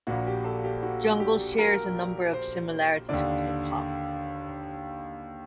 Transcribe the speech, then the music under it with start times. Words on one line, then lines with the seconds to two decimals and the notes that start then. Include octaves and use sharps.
Jungle shares a number of similarities with hip hop.
0.07 A#1 A#2 F#4
0.27 G4
0.45 A4
0.64 G4
0.83 F#4
1.20 G4
1.58 A#4
2.33 C5
3.09 D#2 D3 D5